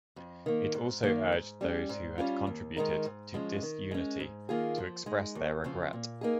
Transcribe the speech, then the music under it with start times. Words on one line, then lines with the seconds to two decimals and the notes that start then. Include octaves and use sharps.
It also urged those who had contributed to disunity to express their regret.
0.16 F2
0.46 D#3 A#3
0.74 G#2
1.03 D#3 A#3
1.32 G#2
1.61 G3 C#4
1.89 G#2
2.18 G3 C#4 F4
2.47 D#2
2.77 D#3 G#3 D#4 A#4
3.05 G#2
3.34 F3 G#3 C#4
3.62 D#3
3.91 G#3 C#4
4.20 G#2
4.49 D#3 A#3 F4 G#4
4.78 F3
5.06 G#3 D#4
5.35 D#2
5.64 C#3 F3 C4
5.93 A#2
6.21 A#3 D#4 G#4